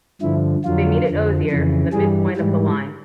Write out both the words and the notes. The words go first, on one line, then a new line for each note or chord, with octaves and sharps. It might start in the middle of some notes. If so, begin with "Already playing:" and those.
They meet at Osier, the midpoint of the line.
G2 D3 F3 E4
F2 D3 F#3 F4
F2 D3 F3
F2 C#3 E3
G2 E3 G3 G#4
G#2 E3 G3